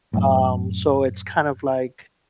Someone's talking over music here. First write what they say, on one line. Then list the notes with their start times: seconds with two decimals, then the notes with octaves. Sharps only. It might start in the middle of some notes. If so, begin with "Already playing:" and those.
Um, so it's kind of like,
0.14 F#2 A2